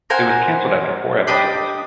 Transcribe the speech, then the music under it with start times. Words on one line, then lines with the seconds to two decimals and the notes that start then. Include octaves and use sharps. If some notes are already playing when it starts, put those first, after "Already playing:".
It was cancelled after four episodes.
0.10 A#4 C5 F#5 G#5
1.27 D4 G4 D#5 B5